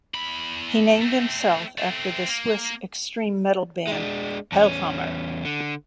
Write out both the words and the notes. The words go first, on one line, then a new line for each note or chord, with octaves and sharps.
He named himself after the Swiss extreme metal band Hellhammer.
E2 B5
A3 C4
A3 C4
A#3
G#3 D4
E2 C#4
D3